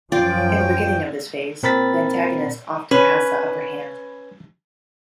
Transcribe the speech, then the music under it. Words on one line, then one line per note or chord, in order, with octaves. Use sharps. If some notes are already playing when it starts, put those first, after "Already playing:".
In the beginning of this phase, the antagonist often has the upper hand.
F#2 F3 C#4 F4 D5 G5
A#2 C4 A#4 B5 A6 B6
C#4 B4